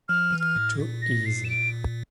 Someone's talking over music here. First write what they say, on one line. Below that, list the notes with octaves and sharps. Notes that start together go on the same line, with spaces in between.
Too easy.
F3 F6
E3
F6
A2
A#2
A#6
C7
E7
D7